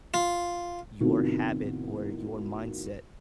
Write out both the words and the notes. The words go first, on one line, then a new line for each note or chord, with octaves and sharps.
your habit or your mindset
F4
A2 C3 D#3 B3 F4 F#4